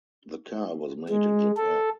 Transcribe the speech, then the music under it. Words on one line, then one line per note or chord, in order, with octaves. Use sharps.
The car was made in Japan.
G#3
A4